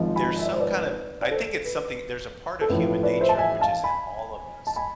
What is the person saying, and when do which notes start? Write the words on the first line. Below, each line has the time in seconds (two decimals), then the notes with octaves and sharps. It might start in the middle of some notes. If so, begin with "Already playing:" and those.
There's some kind of I think it's something there's a part of human nature which is in all of us,
Already playing: G#1 G#2 F3
0.16 G#5 B5
0.39 E5
0.46 D5
0.52 C5
0.60 B4 D5
1.21 D5
1.31 A4 C5
1.65 B4
2.61 A4
2.68 A1 A2 F3 B4
2.86 B4
3.03 B4 D5
3.21 C5 E5
3.29 A5
3.37 E5 G#5
3.61 F5 A5
3.84 G#5 B5
4.67 A5
4.76 G#5 B5